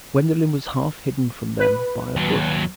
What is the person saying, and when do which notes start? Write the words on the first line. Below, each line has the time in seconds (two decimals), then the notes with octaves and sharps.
Gwendolen was half hidden from them by a bush.
1.60 B4
2.16 D#2 F#3